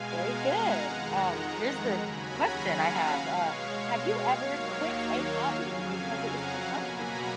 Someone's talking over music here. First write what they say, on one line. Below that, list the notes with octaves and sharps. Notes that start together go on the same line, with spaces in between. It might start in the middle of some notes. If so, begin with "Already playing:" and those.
Very good, um, here's the question I have, uh, have you ever quit a hobby because it was too frustrating?
Already playing: B2 G#3 F5 G#5
F#5 A#5
F2 D#3 G#3
D#2 C#3 F#3 G#5 B5
F#5 A#5
F5 G#5
B2 G#3 C#5 F5
D#2 D#3 F#3 A#3 C#5 F5
C#5 F5
F2 C#3 F#3 F5 G#5
F#5 A#5
B2 F#3 A#3 G#5 B5
F#5 A#5